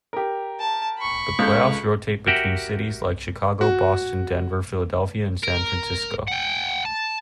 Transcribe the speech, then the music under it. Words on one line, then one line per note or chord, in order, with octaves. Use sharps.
The playoffs rotate between cities like Chicago, Boston, Denver, Philadelphia and San Francisco.
G4 A#4
A5
B5 C#6
C#2 A4 G6
F#4 G4 A#4 E5 F#5 G5
F#4
A#4
F#5 G5
A5